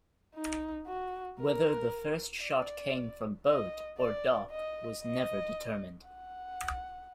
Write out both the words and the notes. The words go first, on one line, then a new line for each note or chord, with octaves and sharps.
Whether the first shot came from boat or dock was never determined.
D#4
F#4
A#4
D5
D#5
D5
D#5
D#5
F#5